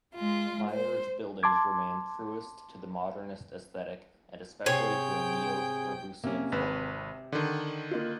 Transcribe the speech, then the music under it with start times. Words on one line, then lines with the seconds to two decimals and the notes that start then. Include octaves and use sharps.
Meier's buildings remain truest to the modernist aesthetic and especially to a neo-Corbusian form.
0.15 G#3 F4
0.68 C5
1.43 A5 C6 D6 G#6
4.66 G#2 C3 G#4 C5 C#5 G5
6.24 C3 A#3 C#4
6.52 G#1 B4
7.32 D3 D#3
7.91 A#3 D#4 F4